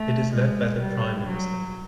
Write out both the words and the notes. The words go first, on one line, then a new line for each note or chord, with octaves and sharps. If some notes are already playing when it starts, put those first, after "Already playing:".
It is led by the Prime Minister.
Already playing: A3
G#3
G3
F#3